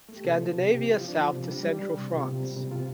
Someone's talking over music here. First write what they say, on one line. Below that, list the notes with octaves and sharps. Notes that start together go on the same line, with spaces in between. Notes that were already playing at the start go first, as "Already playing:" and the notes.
Scandinavia South to central France.
A3
G4
C3 A4
F3 C5
C3
C3 G4
F3 G4
F3 F4
D4
F3 F4
C3
G3 D4
G3
G3
C3
C3 F4
C3
G3
C3
C3 F4